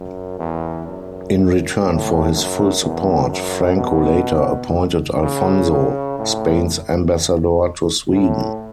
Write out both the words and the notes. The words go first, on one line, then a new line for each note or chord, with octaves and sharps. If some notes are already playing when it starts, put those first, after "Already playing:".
In return for his full support, Franco later appointed Alfonso Spain's ambassador to Sweden.
Already playing: F#2
E2
F#2
A2
F#2
E2
F#2
B2
C#3
C#3
A2
A2